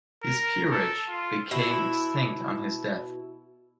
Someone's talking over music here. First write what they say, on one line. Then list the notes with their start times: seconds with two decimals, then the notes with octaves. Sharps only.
His peerage became extinct on his death.
0.23 A#4
0.71 A4
1.09 F4
1.51 B2 E4